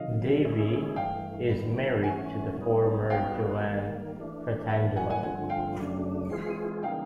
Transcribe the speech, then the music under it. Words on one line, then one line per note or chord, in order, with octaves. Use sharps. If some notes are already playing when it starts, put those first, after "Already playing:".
Davie is married to the former Joanne Fratangelo.
Already playing: C3 D#3 F#3 D#5 F5
D#3 G#3 C#4 E4 G#4
G2 E3 A3 F5 G5
D#3 G3 B3
E3 A3 C#4 F#5 G#5
B2 G3 B3 D#4
B2 G3 B3 D#4 F#4 F5 G5
D#3 G3 A#3
E3 A3 D4
A2 E3 G3 A#3 E5 F#5
F#5 G#5
F#5 G#5
G2 D3 F3 A3 C4 F#5 G#5
F5 G5
F#2 C#3 F#3 A3 D4
E3 G#3 C4 F4 G#4
C#3 E3 G3 A#3 D#4 F5 G5